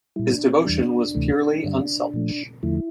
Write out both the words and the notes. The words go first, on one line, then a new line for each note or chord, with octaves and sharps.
His devotion was purely unselfish.
A#2 G3 E4
D4
C4
E2 E3 G3 D4
D2 C3 E3 A3
G2 D3 G3
A#2 F3 A3
E2 D3 F3 A3 E4